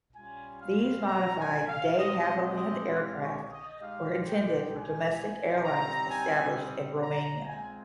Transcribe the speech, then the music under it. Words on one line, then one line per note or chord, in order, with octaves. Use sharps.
These modified De Havilland aircraft were intended for domestic airlines established in Romania.
G3 C#4 F4 G#5
F5
A#5
G#5
F5
G#3 C4 G4 D#5
D#5
F5
C#5
D#5
G#3 D#4 G4 F5
G5
G#5
G3 C4 D#4 G4 A#5
G#5
A#5
G#3 C4 F4 G#5